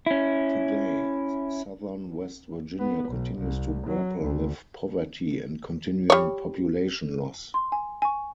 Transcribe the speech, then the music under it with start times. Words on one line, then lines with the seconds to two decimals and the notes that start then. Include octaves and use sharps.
Today, Southern West Virginia continues to grapple with poverty and continuing population loss.
0.06 C#4 E4
2.79 B3
3.10 B1
3.38 C2
3.88 F#3
4.22 D2
6.10 G3 C#5
7.54 C6
7.72 G#5
8.02 G#5 C#6